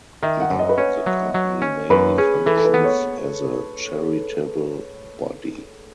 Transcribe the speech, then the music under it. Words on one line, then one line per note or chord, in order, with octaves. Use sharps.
Now, the Company mainly functions as a charitable body.
D#3 E5
F#5
F#2
D#5
B4
C#4 C#5
F#3
F#3
C#4
F#2 B4
C#4 G#4
E3 A4
A4
B4
B3
C#5